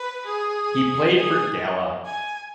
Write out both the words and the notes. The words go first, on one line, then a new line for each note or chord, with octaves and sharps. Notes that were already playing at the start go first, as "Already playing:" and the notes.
He played for Gala.
Already playing: B4
G#4
G#4
G#4
G#5